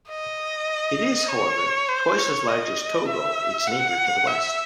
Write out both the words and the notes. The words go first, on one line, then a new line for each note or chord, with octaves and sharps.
It is, however, twice as large as Togo, its neighbor to the west.
D#5
C#5
C5
C#5
D#5
E5
F#5
E5